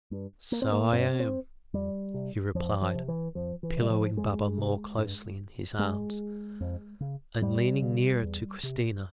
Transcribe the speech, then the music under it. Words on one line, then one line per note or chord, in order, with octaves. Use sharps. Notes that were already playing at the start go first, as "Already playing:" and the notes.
"So I am," he replied, pillowing Baba more closely in his arms, and leaning nearer to Christina.
G2
A#3
C4
A#3
G2 C4
C#4
C4
C4
F2 G3
C3
F2 F3
F3
C3
E3
F2 F3
E3
C3
G3
F3
F2 G#3
C3
G2
G2 G#3
F2
C#3
F2 G3
C#3
E2
C3